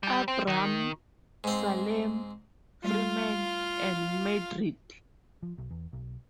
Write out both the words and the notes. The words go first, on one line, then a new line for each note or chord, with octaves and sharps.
Abram, Salem, Freeman, and Madrid.
G3
C4
D#3
G#2 C4
G3 A3 F4 F5
F3
B1
E2
B1